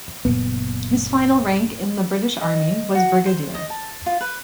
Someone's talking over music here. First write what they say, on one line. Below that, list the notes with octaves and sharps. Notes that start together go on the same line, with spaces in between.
His final rank in the British Army was brigadier.
F#1 A#2 B3
D#5
F#4
C5
D#5
A5
F4
B4